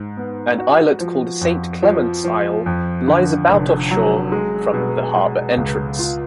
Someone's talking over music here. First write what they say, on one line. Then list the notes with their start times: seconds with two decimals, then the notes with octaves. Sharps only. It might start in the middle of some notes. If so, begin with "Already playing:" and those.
An islet called Saint Clement's Isle lies about offshore from the harbour entrance.
Already playing: G#2
0.17 B3
0.59 F#4
1.00 F3
1.41 F2
1.83 F3
2.24 F3
2.66 F2
3.08 D3
3.50 F1
3.91 F#3
4.32 G#3
4.73 B2
5.16 G#3
5.57 C#2
5.99 F4